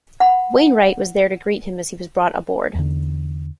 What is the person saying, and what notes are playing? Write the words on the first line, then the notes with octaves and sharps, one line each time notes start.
Wainwright was there to greet him as he was brought aboard.
F#5 B5
E2 D3